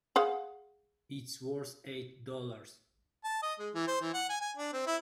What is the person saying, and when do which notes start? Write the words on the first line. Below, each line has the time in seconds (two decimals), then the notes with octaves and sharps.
It's worth eight dollars.
0.16 G#4 F5 F#5
3.24 A5
3.43 D#5
3.60 G#3
3.75 E3
3.88 C5
4.02 E3
4.14 F#5
4.29 G#5
4.41 G#5
4.57 D4
4.73 C4
4.87 E4